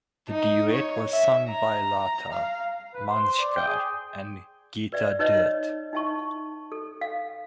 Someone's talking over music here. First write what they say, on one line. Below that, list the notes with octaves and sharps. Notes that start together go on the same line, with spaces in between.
The duet was sung by Lata Mangeshkar and Geeta Dutt.
D#4
C#5
E5
A#5
F5
B4
C5
C5
D5
G5
G#4
B4 D5 E5
D#4 B4 C#5 D#5
D#4 E4 E5 A5 C#6
A4
F5